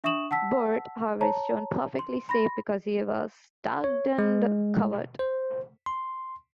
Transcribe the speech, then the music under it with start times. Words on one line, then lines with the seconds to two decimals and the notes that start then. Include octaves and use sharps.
Bert, however, is shown perfectly safe, because he has ducked and covered.
0.04 D4 E5 C#6 D#6 E7 F#7
0.31 F#5 A5 E6 B6
1.21 C#5 A5 A#5
1.99 C6
2.29 B5 C6 A#6
3.84 C#5
4.18 G#3
5.19 C5
5.86 C6